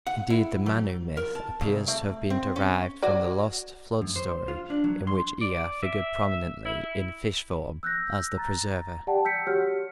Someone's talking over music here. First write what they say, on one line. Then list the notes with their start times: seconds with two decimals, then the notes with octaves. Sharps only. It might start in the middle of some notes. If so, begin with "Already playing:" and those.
Indeed, the Manu myth appears to have been derived from the lost flood story in which Ea figured prominently in fish form as the Preserver.
0.07 F#5
0.30 E4
0.66 F#3
1.17 A#4
1.35 A5
1.61 C2
1.88 A3
2.30 C4
2.56 C#4
3.03 F#3 F#4 D5
4.02 F#2
4.16 C5
4.48 F4
4.70 D4
4.84 F#3
5.07 C6
5.42 D5
5.83 E5
6.66 E4
7.83 E6 F#6 G6 A#6
8.38 A#5 A6
9.07 G4 D5 F#5 G5 A5
9.25 E6 G6 B6 C#7
9.47 F#4 G4 C#5 F#5 F6